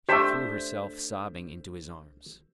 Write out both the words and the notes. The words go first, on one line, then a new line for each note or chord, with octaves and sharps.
She threw herself sobbing into his arms.
A3 D4 G4 C5 E5 G6 B6 E7